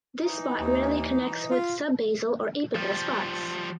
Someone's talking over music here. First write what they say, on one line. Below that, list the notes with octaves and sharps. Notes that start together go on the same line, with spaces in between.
This spot rarely connects with subbasal or apical spots.
E3 D#4
D#2
F4
F3 G3